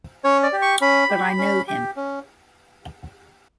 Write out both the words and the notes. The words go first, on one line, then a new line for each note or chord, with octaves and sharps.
But I know him.
C#4 C#5
D5
G4
C#6
C#4 B5
G4
C#4
G4
C#4